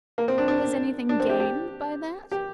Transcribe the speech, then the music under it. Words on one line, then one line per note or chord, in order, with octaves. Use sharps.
"Is anything gained by that?"
A#3
C4
D4
D4
D4
C4
G4
G4
G4